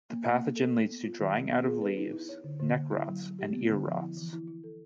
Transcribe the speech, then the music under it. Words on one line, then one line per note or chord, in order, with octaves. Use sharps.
The pathogen leads to drying out of leaves, neck rots and ear rots.
A#3
A#3
A#3
A4
A4
B3
F4
D#3
D#3
B3
G#4
B4
D#4
E4
C#5
D3
D3
A#3
E4
F#3
F#3
G4
B3
D3
F3
E4
E3
E4
E4
A4